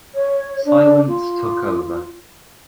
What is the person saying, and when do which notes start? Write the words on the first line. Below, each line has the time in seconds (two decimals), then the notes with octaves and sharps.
Silence took over.
0.15 C#5
0.65 D4
1.08 F4